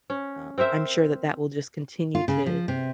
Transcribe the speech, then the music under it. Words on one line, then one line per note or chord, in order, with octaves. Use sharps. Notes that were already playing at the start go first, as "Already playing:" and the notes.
um, I'm sure that that will just continue to
C#4
C4 A#4 C5 E5
F4
C#3
F3
C3